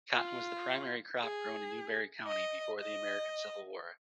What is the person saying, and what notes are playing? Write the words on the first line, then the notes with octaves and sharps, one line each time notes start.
Cotton was the primary crop grown in Newberry County before the American Civil War.
F4
G#4
D#5
D#5